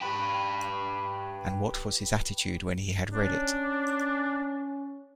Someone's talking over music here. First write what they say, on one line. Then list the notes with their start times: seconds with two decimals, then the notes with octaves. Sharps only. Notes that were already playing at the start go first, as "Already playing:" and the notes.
And what was his attitude when he had read it?
0.01 G4 B4
3.14 C#4 D4